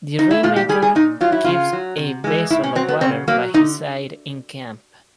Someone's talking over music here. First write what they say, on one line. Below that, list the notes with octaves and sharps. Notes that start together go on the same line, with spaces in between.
The rain-maker keeps a vessel of water by his side in camp.
D#4
E4
A#2 F4
G4
G3 G#4
G#4
A#2 D#4
F#3 F4
E4
C#3 F4
F#3
C3
E3 G#3
A2 E4
C#4
F#3 C4
B3
C#3 C4
F#3 A#3
D3 D#4